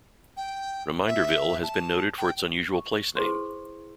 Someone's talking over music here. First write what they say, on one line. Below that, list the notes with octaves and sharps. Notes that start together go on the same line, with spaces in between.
Reminderville has been noted for its unusual place name.
G5
E5
A5
G5
C#6
E4 G#4 B4 C5 C6 C#6